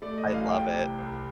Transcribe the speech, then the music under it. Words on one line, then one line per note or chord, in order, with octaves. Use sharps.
I love it.
A3 D5
D#5
A1
F5
G3 G5
C3
C2